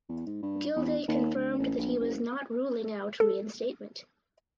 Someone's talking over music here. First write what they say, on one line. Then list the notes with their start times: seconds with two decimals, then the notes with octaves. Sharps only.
Gilday confirmed that he was not ruling out reinstatement.
0.09 E2
0.26 G#2
0.42 G2
0.76 E2
1.08 D#2
1.35 D2
1.59 A1
1.78 A#1
2.00 F#1
3.20 A4